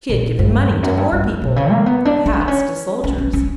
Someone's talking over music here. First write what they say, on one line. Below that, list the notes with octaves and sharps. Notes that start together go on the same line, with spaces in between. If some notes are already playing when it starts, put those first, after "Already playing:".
She had given money to poor people, perhaps to soldiers.
A#2
G2
E2
F#2
G2
G2
F#2
B2
C#3
A#3
B3
D4
D4
C#4
B3
C#4
C#4
C#4
C#4